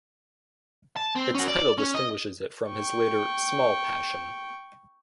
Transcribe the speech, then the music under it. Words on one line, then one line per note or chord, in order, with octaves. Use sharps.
Its title distinguishes it from his later Small Passion.
A5
C4
C#4 F#4
D5
C#4
D#5
G5 C#6